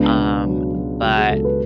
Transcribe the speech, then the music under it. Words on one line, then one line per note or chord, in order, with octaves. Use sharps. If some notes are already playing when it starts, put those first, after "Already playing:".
um, but
Already playing: C#2 B3 D4
B2
F#3
F#3
C#2 F#4
G#4
C#2 A4
B4